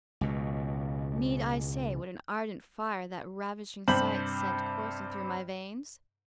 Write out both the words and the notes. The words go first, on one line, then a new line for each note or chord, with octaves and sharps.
Need I say what an ardent fire that ravishing sight sent coursing through my veins?
C#2 B2
G2 C3 C5 B5 F#7